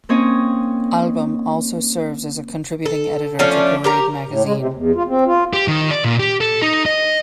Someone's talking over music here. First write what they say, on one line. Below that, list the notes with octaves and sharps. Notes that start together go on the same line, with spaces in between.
Albom also serves as a contributing editor to "Parade" magazine.
A#3 C4 C#4 D#4 C#5 D#5
A4
F3 A3 C#4 D4
G4 A#4 A#5
A2
G#3
C3
E2
F4
C4
F4
G4
D#3
D5
A#2
G4
A4
D#4
D#5